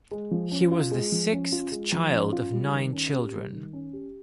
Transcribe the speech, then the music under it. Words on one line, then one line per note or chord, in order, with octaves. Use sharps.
He was the sixth child of nine children.
G#3
F3
C#4
F4
G#3
F3
C#4
F4
G#3
F3
C#4
F4
G3
D#3
C#4
G4
G3
D#3
C#4
G4